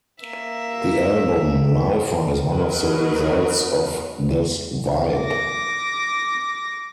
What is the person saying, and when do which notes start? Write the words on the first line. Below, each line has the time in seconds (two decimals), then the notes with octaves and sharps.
The album 'Lifer' is one of the results of this vibe.
0.24 A#3 E5
2.50 F#3 A#4 B4 D#5
5.17 D6 A#6